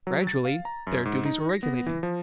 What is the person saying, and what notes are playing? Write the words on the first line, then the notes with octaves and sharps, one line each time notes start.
"GRADUALLY their duties were regulated."
F#3
A6
F5
A#5
F#2
G#2
D#4
A#6
B3
E3
F3